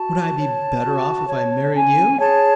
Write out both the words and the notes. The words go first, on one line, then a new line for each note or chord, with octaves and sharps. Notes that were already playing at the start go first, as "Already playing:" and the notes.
"Would I be better off if I married you?"
Already playing: F#4 A5
C#5
F#4
C#5
C#4 G#5
G#4 C#5 A5